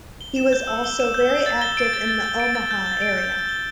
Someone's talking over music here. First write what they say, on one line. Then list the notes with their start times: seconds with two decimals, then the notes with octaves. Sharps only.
He was also very active in the Omaha area.
0.21 G7
0.36 E7
0.53 G6
0.67 E6
0.84 G7
1.00 E7
1.14 G6
1.30 E6
1.46 A6
1.62 G7
1.77 D7
1.93 A6
2.08 A6
2.24 G7
2.40 D7
2.55 A6
2.71 G6
2.86 G7
3.02 D7
3.18 G6
3.33 G6
3.49 G7